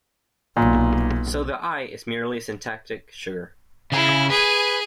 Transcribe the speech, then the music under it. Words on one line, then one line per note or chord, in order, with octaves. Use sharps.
So the "I" is merely syntactic sugar.
B1 A#2
C#3 E4 G#4
G#4 B4 G#5